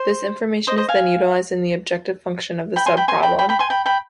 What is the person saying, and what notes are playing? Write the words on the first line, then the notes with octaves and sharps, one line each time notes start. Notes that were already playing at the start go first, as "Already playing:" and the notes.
This information is then utilized in the objective function of the subproblem.
Already playing: C5
C5 D#5
C5 D#5
F5 G#5
G5 B5
G#5 C6
G5 B5
G#5 C6
G5 B5
G5 B5
G5 B5
G#5 C6
G5 B5
G5 B5